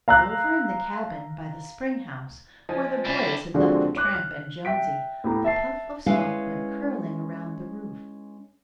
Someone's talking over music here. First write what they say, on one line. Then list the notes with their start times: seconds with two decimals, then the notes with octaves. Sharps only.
Over in the cabin by the spring-house where the boys had left the tramp and Jonesy, a puff of smoke went curling around the roof.
0.08 F5 A#5 E6 F#6
2.69 F3 D#5 G#5
3.05 G3 E4
3.54 D3 F3 G#3 C4 D4 F#4
3.96 C#5 D6 F#6
4.13 F6
4.65 E5 G5 B6 D7
5.24 A2 B3 G4 A#5
5.44 E5 A5 C7
6.06 G#3 C#4 E4 B4 F5